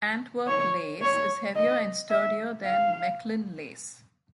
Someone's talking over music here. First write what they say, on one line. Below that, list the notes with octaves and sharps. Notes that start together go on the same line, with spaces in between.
Antwerp lace is heavier and sturdier than Mechlin lace.
C#5
C#5
D#5
E5
F5